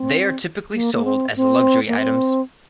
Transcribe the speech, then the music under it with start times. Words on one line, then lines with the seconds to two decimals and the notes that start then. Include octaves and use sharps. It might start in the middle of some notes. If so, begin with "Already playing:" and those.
They are typically sold as luxury items.
Already playing: C4
0.74 A#3
0.94 A#3
1.05 C4
1.36 C4
1.88 A#3
1.98 C4